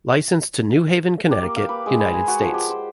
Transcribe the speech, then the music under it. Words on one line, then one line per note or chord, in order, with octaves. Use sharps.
Licensed to New Haven, Connecticut, United States.
G4
A#3
F5
B4
G#3
B5
G#5
F#4
F3
G4
C5